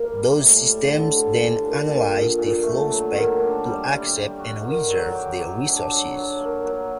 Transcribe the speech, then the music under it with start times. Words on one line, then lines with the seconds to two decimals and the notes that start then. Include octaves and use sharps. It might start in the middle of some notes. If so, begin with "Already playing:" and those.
Those systems then analyse the "flowspec" to accept and reserve the resources.
Already playing: A#3
0.13 G3
0.38 A2
0.63 G3
0.88 D3
1.13 D3
1.39 D3
1.63 A#2
1.89 A#2
2.13 A#2
2.39 A#2
2.63 A3
2.89 F#3
3.14 D#3
3.39 D4
3.64 G3
3.89 G3
4.14 G3
4.39 F#4
4.65 D#3
4.90 F#3
5.14 G4
5.39 F#3
5.65 D4
5.89 F#3
6.15 F#3
6.40 A#3
6.65 F#3